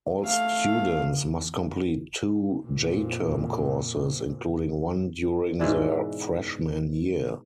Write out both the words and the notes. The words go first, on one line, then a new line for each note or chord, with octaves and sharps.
All students must complete two J-Term courses, including one during their freshman year.
A3 F5
F2 A#2
G#2 B2 E3 D4